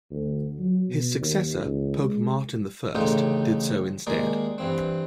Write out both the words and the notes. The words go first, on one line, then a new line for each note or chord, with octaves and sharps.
His successor, Pope Martin the First, did so instead.
D2
F#3
B2
D#2
C#2
G#3
A1 D2 C#3 D#4 F4 G4
D#2 G#3 G#4 A#4 D5
G2 E3 C4